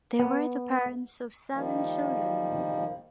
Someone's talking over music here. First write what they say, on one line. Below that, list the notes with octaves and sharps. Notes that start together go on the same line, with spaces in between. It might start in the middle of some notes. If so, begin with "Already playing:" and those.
They were the parents of seven children.
B3
D#3 F3 G3 A#3